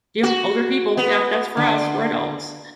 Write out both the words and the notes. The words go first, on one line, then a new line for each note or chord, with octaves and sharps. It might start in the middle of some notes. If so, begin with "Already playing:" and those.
you, older people. Yeah, that's for us, we're adults."
F#4
B3
D3